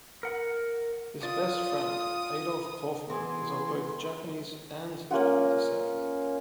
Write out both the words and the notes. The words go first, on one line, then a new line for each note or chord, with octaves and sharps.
His best friend Adolf Kaufmann is of both Japanese and German descent.
A#4 F#5
F4 D5 D#6
E3 B3 G#4 C6
A#3 C#4 F4 F#5